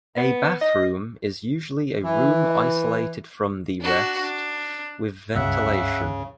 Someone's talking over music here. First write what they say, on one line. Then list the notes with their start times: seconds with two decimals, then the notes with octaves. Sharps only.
A bathroom is usually a room isolated from the rest, with ventilation.
0.17 B3
0.61 D#5
2.04 E3
3.81 D4 F#4
4.21 D4
5.35 C#2 G2 C#3 E5 F#5